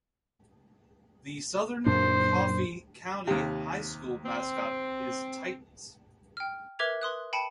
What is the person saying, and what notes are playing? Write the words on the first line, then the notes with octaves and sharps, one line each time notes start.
The Southern Coffey County High School mascot is Titans.
F#2 A#2 D4 C5
D#2 C3
C4
G5 F6
A#4 B4 E5 D6 G#6 F7
B4 C6 D#6 F#6
G5 A5 B5 C#7 D#7